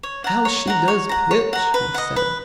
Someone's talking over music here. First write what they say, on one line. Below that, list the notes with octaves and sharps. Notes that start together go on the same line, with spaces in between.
"How she does pitch!" he said.
C#5
F#5 A#5
C#5
F#5 A#5
C#5
F#5 A#5
C#5
F#5 A#5
B4
D#5 F#5
B4